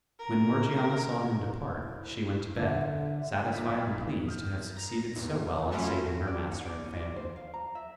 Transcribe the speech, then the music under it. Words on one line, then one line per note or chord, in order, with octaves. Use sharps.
When Morgiana saw him depart, she went to bed, satisfied and pleased to have succeeded so well in saving her master and family.
A#4
E4
D3 E5
A#1 A#2 D#4 B6
B1 F2 E4 F5
D#6 F6 G6
A#5
E2
F#3 A3 C#4 E4 F4
F#4
D5
F#5
D5
C#4
D5
C5
F5
A#5
E5